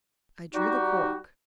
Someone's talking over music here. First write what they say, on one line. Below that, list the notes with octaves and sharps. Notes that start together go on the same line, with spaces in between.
I drew the cork.
G3 D#4 F#4 G4